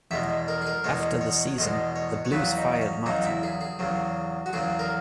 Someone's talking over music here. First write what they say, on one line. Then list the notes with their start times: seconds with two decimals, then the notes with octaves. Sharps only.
After the season, the Blues fired Martin.
0.11 E2 B2 G#3 E5
0.48 A#4
0.62 G#4
0.67 A#4
0.84 E2 B2 G#3 C#5
1.21 C#5
1.47 C#5
1.58 E2 B2 G#3 D#5
1.96 C#5
2.25 C#5
2.32 E2 C#3 F#3 B4
2.57 D#4
2.81 C#4
3.06 E2 C#3 F#3 D#4
3.25 E4
3.43 G#4
3.61 G#4
3.79 E2 C#3 F#3
4.46 F#4
4.53 E2 C#3 F#3 G#4
4.79 A#4